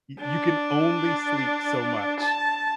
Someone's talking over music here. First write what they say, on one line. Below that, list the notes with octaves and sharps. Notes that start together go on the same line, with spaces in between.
Y you can only sleep so much,
D4
A5